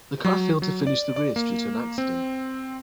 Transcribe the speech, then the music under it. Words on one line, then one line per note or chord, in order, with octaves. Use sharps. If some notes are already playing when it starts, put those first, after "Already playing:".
The car failed to finish the race due to an accident.
F#3
F#3
D5
D5
A#3
C4